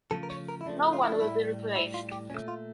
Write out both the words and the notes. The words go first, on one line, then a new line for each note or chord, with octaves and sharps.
No one will be replaced.
C#3 F3 A3 A4
A#4
C#5
A#4
E4
C#3 F3 A3 D4
F4
E4
D4
A2 G3 E4
A2 G3 E4
F4
G4
A#2 A3 C#4
F4